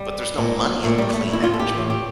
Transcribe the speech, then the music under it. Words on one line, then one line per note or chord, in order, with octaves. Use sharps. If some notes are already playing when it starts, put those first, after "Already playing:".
but, there's no money in clean energy.
Already playing: G3
A#2
A#2 A3
G3
A3
A#2 E4
F4
A4
G4
A2 E3
G4